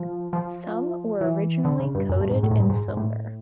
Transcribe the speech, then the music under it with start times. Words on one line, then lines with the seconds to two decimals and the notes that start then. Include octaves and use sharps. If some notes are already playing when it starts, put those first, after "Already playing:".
Some were originally coated in silver.
Already playing: F3
0.33 F3
1.21 E3
1.65 D3
1.80 C#3
1.95 G2
2.09 F#2
2.21 G2
2.31 G#2
2.43 A2
2.51 G#2
2.60 G2
2.70 G#2
2.88 G#2
2.97 A2